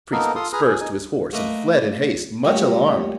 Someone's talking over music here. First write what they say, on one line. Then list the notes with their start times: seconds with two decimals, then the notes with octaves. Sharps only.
The priest put spurs to his horse and fled in haste, much alarmed.
0.12 A#3 B3 D#4 A4 A#4
0.36 F4 A4 C6 D#6
0.53 G#4 B4 A#5 D#6 F6
0.66 G#4
0.80 D#4 G#5
1.33 A3 A#3 D#4 A#4 B4
2.44 D#2 A#2 F#3 G3 A3